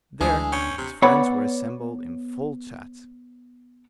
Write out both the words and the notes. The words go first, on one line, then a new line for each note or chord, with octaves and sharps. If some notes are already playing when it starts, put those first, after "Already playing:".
There his friends were assembled in full chat.
D2 E3 G#3 D4 G#4
C#4 G5
C3
B3 C#5 D5 F#5 B5